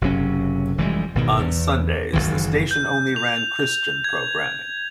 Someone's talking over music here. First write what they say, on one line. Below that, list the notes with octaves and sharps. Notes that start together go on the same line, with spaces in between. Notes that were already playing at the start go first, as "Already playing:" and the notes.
On Sundays, the station only ran Christian programming.
F#1 C3 F#3 C#4
F1 E3 G3 G#3
G#1 B2 D#3
E2
F#1 D2 D#3 E3
G6
F7
G#6